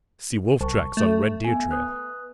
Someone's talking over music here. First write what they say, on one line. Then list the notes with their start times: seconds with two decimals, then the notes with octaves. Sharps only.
See wolf-tracks on red deer trail.
0.61 C2 A5 C#6
0.97 A3
1.44 B3 G#5
1.71 B4 D#6 F#6